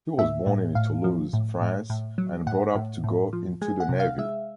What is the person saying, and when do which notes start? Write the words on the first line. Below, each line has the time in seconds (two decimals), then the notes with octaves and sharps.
He was born in Toulouse, France and brought up to go into the navy.
0.18 A2 E5
0.47 A2
0.75 A2 F5
1.04 F3
1.33 A2
1.61 A2
1.90 A2
2.18 F#3
2.47 A2 F#5
2.75 A2
3.04 A2
3.33 F3
3.61 G#3 G#5
3.80 F#5
3.89 C3
4.00 F5
4.18 G#3 E5